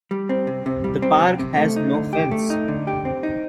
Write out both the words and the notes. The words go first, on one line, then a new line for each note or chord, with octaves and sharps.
The park has no fence.
G3
C4
C3
C3
G3
C4
C3
C3
A3
D#4
D3
G4
A3
D#4
D3
G4
C4
D#4